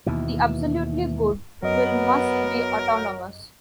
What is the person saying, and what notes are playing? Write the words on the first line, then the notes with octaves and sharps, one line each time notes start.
The absolutely good will must be autonomous.
D#2 B2 E3
F#2 F#3 B3 A#4 D#5